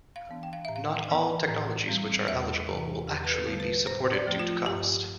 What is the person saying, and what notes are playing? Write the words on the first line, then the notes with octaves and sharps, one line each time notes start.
Not all technologies which are eligible will actually be supported due to cost.
F5
E3 B3 D4
G5
F5
A2 E5
F5
E3 B3
A2
G3 C4
E2 E5
C3 E3
E2 G4
B4
A4
D3 G3 B3
B4
A2 C5
D5
F3 A3 C4
F4
G2 G4